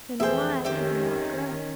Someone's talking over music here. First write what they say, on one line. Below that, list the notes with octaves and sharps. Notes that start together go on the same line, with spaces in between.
Then why do they not grow?
F1 E3 G#4 C5 E5 G5
D#3 C#4 G4 E5